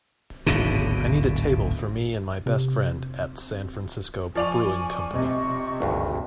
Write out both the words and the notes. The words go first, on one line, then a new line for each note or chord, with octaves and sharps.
I need a table for me and my best friend at San Francisco Brewing Company.
D1 G#1 B2 D3
C3
F3 D5 G#5 C#6 F7
C3 D#5 C#6
G#1 D2 G2